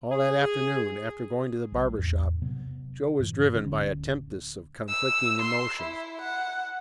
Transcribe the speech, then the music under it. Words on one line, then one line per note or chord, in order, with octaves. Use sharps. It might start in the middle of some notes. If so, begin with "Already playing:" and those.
All that afternoon, after going to the barber-shop, Joe was driven by a tempest of conflicting emotions.
G#4
A#1 G3
E2 A2
C3 F#3 B3
G2 A#2 E3
D1 D2 D3 C#4
E6
C6
E4
F#5